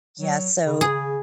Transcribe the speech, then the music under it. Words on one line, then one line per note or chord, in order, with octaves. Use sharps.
Yeah, so
F#3
C#3
C#3 G#4